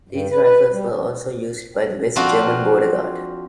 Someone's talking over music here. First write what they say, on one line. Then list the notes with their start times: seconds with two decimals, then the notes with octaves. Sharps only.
These rifles were also used by the West German border guard.
0.11 G2
0.31 B4
0.43 B4
0.73 G3
2.16 F3 C4 D4 F4 F#4